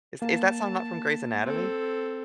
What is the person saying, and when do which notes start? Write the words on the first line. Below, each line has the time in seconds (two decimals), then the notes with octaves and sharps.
Is is that song not from Grey's Anatomy?
0.22 A#3 A5
1.44 C4 A4